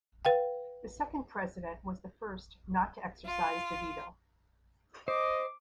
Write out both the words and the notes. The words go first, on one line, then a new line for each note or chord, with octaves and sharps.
The second president was the first not to exercise the veto.
B4 F5 G5
F4
C5 D#5 D6